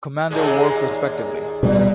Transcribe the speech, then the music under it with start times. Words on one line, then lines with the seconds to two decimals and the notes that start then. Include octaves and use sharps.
Commander Worf respectively.
0.30 D#2 A#2 G#3
1.63 G2 B2 G3